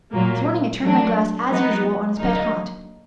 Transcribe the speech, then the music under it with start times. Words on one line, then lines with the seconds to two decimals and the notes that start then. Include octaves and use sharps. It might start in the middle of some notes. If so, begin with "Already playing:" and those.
This morning I turned my glass, as usual, on his pet haunt.
0.13 A#2 F#3 A#3
0.82 F#3 A3 D4
1.51 F#3 B3 D#4
2.19 D3 F#3 A#3 D#4